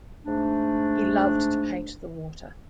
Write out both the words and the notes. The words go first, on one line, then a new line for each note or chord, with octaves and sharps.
He loved to paint the water.
G#2 A3 D4